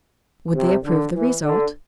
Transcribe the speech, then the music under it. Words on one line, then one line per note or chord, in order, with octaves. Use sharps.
Would they approve the result?
C3
D3
E3
D3